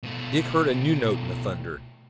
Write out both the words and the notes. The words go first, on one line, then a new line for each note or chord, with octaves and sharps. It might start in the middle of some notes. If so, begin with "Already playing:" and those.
Dick heard a new note in the thunder.
B2 A3